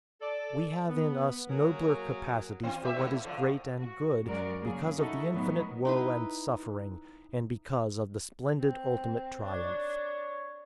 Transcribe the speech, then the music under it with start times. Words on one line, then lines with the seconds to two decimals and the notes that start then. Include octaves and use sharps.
We have in us nobler capacities for what is great and good because of the infinite woe and suffering, and because of the splendid ultimate triumph.
0.21 A4 D5
0.89 B3
1.50 F#3 A#3 F#4 G#4 A#4 C#5
2.63 E3 C4
2.83 G4 C5 E5
2.96 G#2 B3 E4
3.12 A3
3.24 A2 D3 F3
3.39 A2
3.80 F#4
4.25 F#2 F#3 G#3 F#4 A#4 D5
4.60 C#3 F#3 A#3 G#4
4.95 D#4 E4 F#4 A4
5.30 A2 D#3 F#3 B3 D#4
5.85 D#4 E4 B4
8.60 C4
9.44 D4 C#5